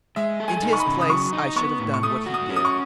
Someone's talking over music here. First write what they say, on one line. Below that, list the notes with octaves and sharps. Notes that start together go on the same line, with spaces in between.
In his place I should have done what he did.
G#3 E5
A4
G#5
D#4
C#6
B5
C#3
D#6
F#3 C#6
D#4
B3 C#6
A2
C#6
A3 D#6
F#4
D#6
C#4
D#6
C#6